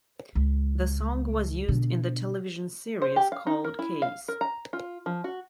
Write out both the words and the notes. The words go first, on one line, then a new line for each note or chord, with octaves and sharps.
The song was used in the television series "Cold Case".
C#2
B2 D3
C5
G4
F5
D#4
A#4
E4
F5
A#4
A#5
F4
F3
F#4